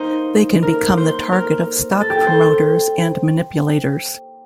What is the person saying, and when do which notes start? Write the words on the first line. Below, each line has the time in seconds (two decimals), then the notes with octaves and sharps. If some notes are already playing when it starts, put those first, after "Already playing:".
They can become the target of stock promoters and manipulators.
Already playing: A#3 D#4 C5
0.63 A#4
0.97 C5
1.32 A#4
2.01 A4
2.10 G4
2.18 A4
2.27 C5